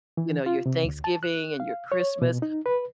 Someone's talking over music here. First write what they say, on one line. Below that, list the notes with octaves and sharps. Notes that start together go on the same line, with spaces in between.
you know, your Thanksgiving and your Christmas,
E3
F4
C3
D2
A5
F#6
F5
C#5
B2
D#4
B4